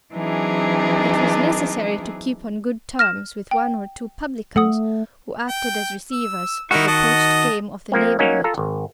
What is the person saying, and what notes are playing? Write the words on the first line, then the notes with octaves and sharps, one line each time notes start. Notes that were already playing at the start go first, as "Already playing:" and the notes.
It was necessary to keep on good terms with one or two publicans who acted as "receivers" of the poached game of the neighbourhood.
E3 F#3 C4 D4 D#4 G#4
F6 A#6 E7
G5
A3 A4 F#5 D#6
G5
E6
D#3 D#4 E4 F#4 A#4
D#5 F#5 A5
F3 A#3 C4
F#3 A#3 C#4 D#4
F4 A4 A#5
G#1